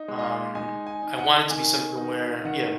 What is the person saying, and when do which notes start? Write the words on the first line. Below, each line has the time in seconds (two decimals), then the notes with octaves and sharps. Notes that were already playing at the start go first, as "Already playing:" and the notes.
Um, I want it to be something where Yeah.
Already playing: D#4
0.08 G#3
0.19 D#5
0.23 F5
0.55 D#4 G#5
0.87 G#5
1.02 D#4
1.18 F#5
1.50 D#3 G#5
1.97 D#4
2.45 D#3 F#5